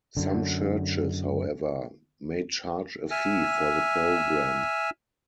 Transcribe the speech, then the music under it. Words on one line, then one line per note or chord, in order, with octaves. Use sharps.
Some churches, however, may charge a fee for the program.
F#2 D3
E5 G#5 E6 F6